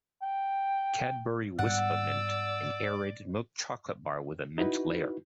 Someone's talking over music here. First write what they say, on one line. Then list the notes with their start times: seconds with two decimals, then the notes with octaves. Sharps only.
Cadbury Wispa Mint: an aerated milk chocolate bar with a mint layer.
0.22 G5
1.59 G#2 G3 B3 D5 F#5 E6
4.58 D#4 E4 F#4 B4